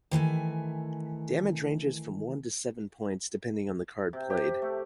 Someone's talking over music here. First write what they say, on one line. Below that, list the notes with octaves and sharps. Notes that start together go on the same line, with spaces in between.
Damage ranges from one to seven points depending on the card played.
D#3 E3 A3 G#5
C3
G4
A3